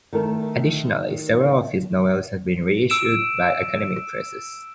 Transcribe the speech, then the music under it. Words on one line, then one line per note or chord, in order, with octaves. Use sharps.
Additionally, several of his novels have been reissued by academic presses.
D#3 A3 A#4
E6 D7 E7